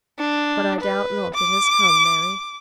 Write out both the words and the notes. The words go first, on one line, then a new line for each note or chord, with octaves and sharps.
"But I doubt not it has come, Mary."
D4
B4
D6